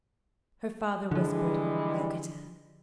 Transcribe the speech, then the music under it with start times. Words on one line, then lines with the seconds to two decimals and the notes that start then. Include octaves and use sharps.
Her father whispered, "Look at her!"
1.11 D3 E3 F3 G3 G#3